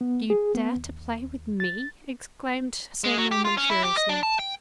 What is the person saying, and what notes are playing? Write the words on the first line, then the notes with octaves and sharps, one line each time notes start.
"Do you dare to play with me?" exclaimed Sir Norman, furiously.
B3
G#4
B3
D#2
A6
G#3
F#3
G4
F4
C#4
E4
G4
D#5
D4
A5
G5